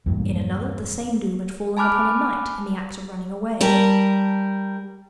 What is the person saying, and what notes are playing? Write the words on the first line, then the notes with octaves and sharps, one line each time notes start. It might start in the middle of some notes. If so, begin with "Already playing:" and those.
In another, the same doom had fallen upon a knight in the act of running away.
E2 G2 A#2
G#5 A5 B5 D6 F6 F#6
G3 A#4 A5